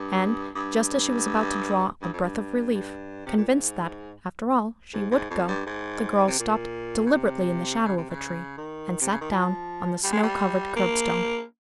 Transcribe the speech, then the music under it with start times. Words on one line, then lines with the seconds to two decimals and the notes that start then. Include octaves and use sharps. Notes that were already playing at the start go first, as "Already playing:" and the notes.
And, just as she was about to draw a breath of relief, convinced that, after all, she would go, the girl stopped deliberately in the shadow of a tree, and sat down on the snow-covered curbstone.
Already playing: G2
0.56 G2
2.02 G2
2.13 F2
2.23 G2
2.74 G2
3.26 C3
3.37 A#2
3.47 G#2
4.93 G#2
5.11 G#2
5.30 F2
5.48 G2
5.66 G#2
6.27 C3
6.39 A#2
7.06 C#3
7.12 C3
7.85 C#3
7.97 C3
8.10 C#3
8.58 D#3
9.01 C3
9.11 C#3
9.21 D#3
9.31 F3
10.04 G3
10.13 G#3
10.23 G3
10.76 A#3